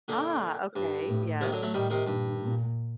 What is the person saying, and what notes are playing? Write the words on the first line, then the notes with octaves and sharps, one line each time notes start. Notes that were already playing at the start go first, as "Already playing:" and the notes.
Ah, okay. Yes. Mhm.
A#2 D3
G2
A2
C3 D#3
D3 F#3
F#3 A3
A2 D#3 G3
C3 D#3
G2 A#2
A#2